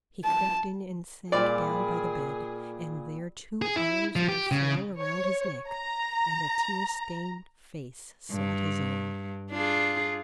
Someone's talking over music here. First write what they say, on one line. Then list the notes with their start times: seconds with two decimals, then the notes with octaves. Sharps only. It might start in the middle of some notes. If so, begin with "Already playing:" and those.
He crept in and sank down by the bed, and there two arms were flung around his neck, and a tear-stained face sought his own.
0.24 A5
1.32 A#2 G3 G#4 D5
3.62 G#4
3.76 E4
4.16 F3
4.29 G4
4.51 C#3
4.98 C#5
5.68 A#5
8.32 G2
9.51 D4 F4 G#4